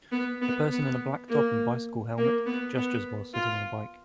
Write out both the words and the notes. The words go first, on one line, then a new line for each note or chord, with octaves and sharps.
A person in a black top and bicycle helmet gestures while sitting on a bike.
B3
B3
B3
A#3
A#3
B3
B3
F4